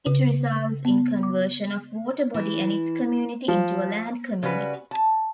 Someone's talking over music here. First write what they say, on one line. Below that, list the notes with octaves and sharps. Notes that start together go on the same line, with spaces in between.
It results in conversion of water body and its community into a land community.
C#3
B3
D6
E3
F3
C#3 G3 F#4 B4
A5